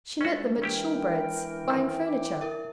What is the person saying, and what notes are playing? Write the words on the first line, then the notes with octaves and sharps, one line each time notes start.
She met them at Shoolbred's--buying furniture.
G#3 C#4 D4 F#4 A4 E5
E3 C#4 E4 G4 A#4 G5
F#2 D#3
G5 D6
E4 A#4 E5